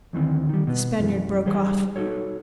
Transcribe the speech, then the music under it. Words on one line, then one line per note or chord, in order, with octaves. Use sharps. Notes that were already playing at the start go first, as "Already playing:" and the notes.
The Spaniard broke off.
D2 D#3 E3 C4
D#3 G3
B2 B3
F#2 E3
G3 G4 G#4 C5
D#4 F4 F#4 A4 C#5